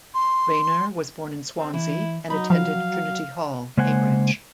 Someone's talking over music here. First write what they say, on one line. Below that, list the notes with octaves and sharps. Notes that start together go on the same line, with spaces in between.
Raynor was born in Swansea and attended Trinity Hall, Cambridge.
C6
C4
E3 E4
F#3 D#4 B5
F3 F5
C#3 G#3 A#3 C5 F#5 G#5